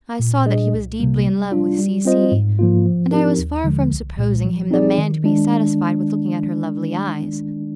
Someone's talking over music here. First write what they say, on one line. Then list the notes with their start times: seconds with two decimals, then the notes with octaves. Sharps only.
I saw that he was deeply in love with C---- C---- , and I was far from supposing him the man to be satisfied with looking at her lovely eyes.
0.19 A#2
0.46 G3 D4 G#4 D#5
0.73 C2
1.00 C3 G3 A#3
1.26 G3
1.52 D4 F4
1.79 G3
2.05 C4 F4 C5 D#5
2.32 G#2
2.59 F3 A#3 F4
2.86 F3
3.11 C4 D#4 G4 A#4
3.39 D#2
3.64 D3 F3 G#3
3.91 C2
4.18 A#2 G#3
4.45 F3
4.71 C4 D#4 G#4 D5
4.98 D#3
5.24 G#3 D4